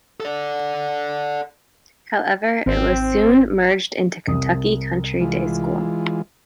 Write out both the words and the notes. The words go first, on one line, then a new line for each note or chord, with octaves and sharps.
However, it was soon merged into Kentucky Country Day School.
A4 D5
G#1 C4
C2 D#6
E3 G#3 F4